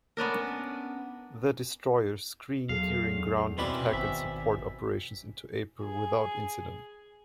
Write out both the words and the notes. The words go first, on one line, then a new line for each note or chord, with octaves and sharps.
The destroyer screened during ground attack and support operations into April without incident.
B3 C#4 D4 A#4
E2 F#3 G#4 A4 F5
C#2 B2 C4 C#4 E4 B4 D5
G#1 C5 E5 G5 G#5
G#4